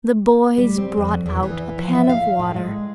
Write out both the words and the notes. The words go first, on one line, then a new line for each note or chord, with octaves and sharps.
The boys brought out a pan of water.
G3
C4
F2
E2
E3
F3
E5
F5
A2
G#3